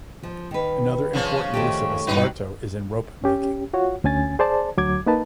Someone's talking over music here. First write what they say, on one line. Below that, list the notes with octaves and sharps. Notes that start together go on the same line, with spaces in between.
Another important use of esparto is in rope-making.
F3
D#3 B4
C#3 F3 C#4
D#3 A3 G4
G2 A#2 E3 F#3 D#4 B4
C#4 G4
F4 F#4 C#5 F#5
D2 C#4 G#5 A6
G#4 C5 D5 A5
D2 F#3 D6 G#6
A#3 D#4 B4 A5